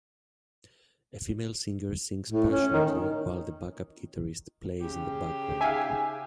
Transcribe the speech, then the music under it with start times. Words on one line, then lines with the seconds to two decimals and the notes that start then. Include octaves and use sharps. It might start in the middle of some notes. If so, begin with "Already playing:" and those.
A female singer sings passionately while the backup guitarist plays in the background.
2.30 A2
2.50 C#4
2.73 D#3
4.82 C#3 G4
5.61 E5 F5 G#5